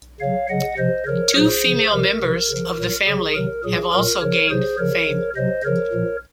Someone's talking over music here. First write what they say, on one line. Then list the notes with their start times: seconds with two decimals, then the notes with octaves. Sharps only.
Two female members of the family have also gained fame.
0.20 C#3 F#3 C#5 F5
0.49 C#3 F#3 D#5 F#5
0.78 C3 F3 C5 D#5
1.06 C#3 F3 A#4 C#5
1.35 A#2 F#3 G#4 C5
1.63 C#3 F3
1.92 C3 F3 A#4
2.21 C3 F3
2.50 C#3 F3
2.78 A#2 F#3
3.07 C#3 F#3 G#4
3.35 C3 D#3 F#3 A#4
3.64 A#2 F#3 G#4
3.93 A#2 F#3 A#4
4.21 C#3 F3 A#4 C#5
4.50 C3 F#3 G#4 C5
4.79 C#3 F3 A#4 C#5
5.08 C#3 F3
5.36 C3 F#3 C5 D#5
5.64 C#3 F3 A#4 C#5
5.93 A#2 F3